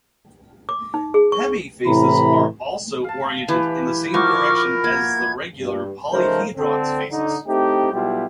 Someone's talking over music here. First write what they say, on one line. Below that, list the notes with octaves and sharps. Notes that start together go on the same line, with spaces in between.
Hemi faces are also oriented in the same direction as the regular polyhedron's faces.
D6
D#4
G#4
C#6
A2 C3 E3 E4 A#5 B5
F5 A5
E3 E4 G4 B4
F3 D#4 E4 F#4 A#4 C#6 D6 F6
A#3 G#6
G2
C#3 F3 A3 D#4 A#4 C5
D3 C4 A4
D3 D#4
A3 C4 D#4 E4 G4
B1 B2 G3 E4 F4 G4